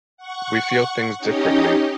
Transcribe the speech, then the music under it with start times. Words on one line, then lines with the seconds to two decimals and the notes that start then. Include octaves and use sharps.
We feel things differently.
0.17 F#5 C#6
1.18 C#4 D#4 G4 D#5